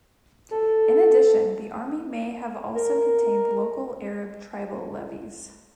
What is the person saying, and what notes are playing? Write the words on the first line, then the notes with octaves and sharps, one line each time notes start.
In addition, the army may have also contained local Arab tribal levies.
A4
A#4